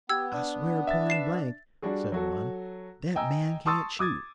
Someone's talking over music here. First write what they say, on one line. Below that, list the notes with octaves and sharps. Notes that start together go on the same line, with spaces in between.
"I swear poin' blank," said one, "that man can't shoot."
B3 G4 E6 G#6
D4
E5 A6
C7 E7
G3 D4 F#4 G#4
F#3 F#4 A4
D#5 G5 G#5 A#5 E6
A5 C6 C#6 D#6 E6 A6
D6 D#6 G#6 A6